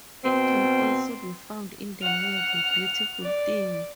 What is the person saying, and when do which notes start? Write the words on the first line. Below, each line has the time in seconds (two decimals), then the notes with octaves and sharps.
It can also be found in the movie "Beautiful Thing".
0.23 B2 C4
2.02 F#5 F6
3.22 D5